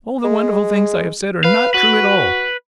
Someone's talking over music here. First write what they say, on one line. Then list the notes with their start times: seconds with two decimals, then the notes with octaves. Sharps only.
All the wonderful things I have said are not true at all.
0.24 G#3
1.44 B4 F5
1.74 F#4 B4